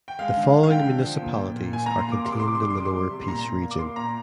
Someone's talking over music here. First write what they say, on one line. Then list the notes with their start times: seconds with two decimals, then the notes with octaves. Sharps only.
The following municipalities are contained in the Lower Peace Region.
0.08 G5
0.19 G#3 F5
0.36 D3
0.53 G#3
0.63 F5
0.70 D3 G5
0.87 D3
1.05 F3
1.22 A#2
1.39 A#2
1.56 A#2
1.73 A#2 G#5
1.86 A#2 A#5
1.99 C6
2.07 A#3 D6
2.25 C3 C6
2.32 D6
2.40 C3 C6
2.48 D6
2.55 C6
2.59 G3 D6
2.70 C6
2.76 G3 D6
2.85 C6
2.93 G3
3.10 C3
3.23 C6
3.28 A#2 A#5
3.45 A#2
3.62 A#3
3.71 D6
3.79 A#3 C6
3.96 A#2 A#5